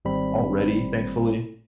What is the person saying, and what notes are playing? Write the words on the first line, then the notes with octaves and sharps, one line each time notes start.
already, thankfully.
G#1 G3 C4 B5